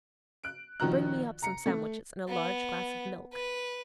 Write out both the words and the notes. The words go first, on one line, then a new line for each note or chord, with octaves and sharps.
Bring me up some sandwiches and a large glass of milk.
F#6 D7
A#1 D#3 F3 F#4 A#5 F#6
A#5 C#7
A3
B3
B4